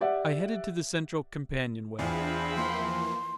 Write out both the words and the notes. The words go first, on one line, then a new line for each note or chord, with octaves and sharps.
I headed to the central companionway.
G4 D5 E5 F#5
E2 C4 D4 E4 F4 G#4 B5
E3 F3 A#3 C6